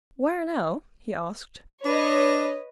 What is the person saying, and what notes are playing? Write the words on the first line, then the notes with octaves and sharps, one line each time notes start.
"Where now?" he asked.
D4 B4 C#5 D#5